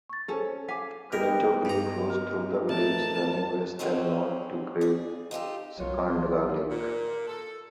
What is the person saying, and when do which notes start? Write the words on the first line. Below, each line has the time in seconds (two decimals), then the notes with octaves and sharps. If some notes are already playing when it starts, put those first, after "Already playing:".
Kennyetto Creek flows through the village, running west, then north, to Great Sacandaga Lake.
0.10 C#6 A6
0.28 C#4 G#4 A4 C5
0.68 F5 G#5 D6 B6
1.12 B3 D#4 G4 A#4
1.65 G2 A#5
2.10 A#4
2.69 A1 A5
3.79 F#3 G#3 C4 C#4 D#4
4.81 G#4 D5
5.31 D#4 F4 G4 A4
5.80 C2 F#3 F4 C#5
6.70 A#2
7.27 A4